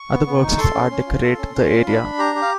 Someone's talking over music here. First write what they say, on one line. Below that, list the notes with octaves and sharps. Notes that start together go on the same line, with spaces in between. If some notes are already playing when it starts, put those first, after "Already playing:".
Other works of art decorate the area.
Already playing: C#6
B3
B3
D#4
A4 C6
C#4
C#4
F4
A4
C#4
C#4
F4
D4 B5
D4
G4 A#5
G4
F5